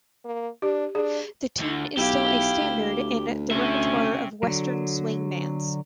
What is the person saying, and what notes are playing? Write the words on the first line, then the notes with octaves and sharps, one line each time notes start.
The tune is still a standard in the repertoire of Western swing bands.
A#3
D4 G4
D4 G#4
D2 D3
B1 E4 G4 F5
D2
C4 C#4 E5
D3 F#3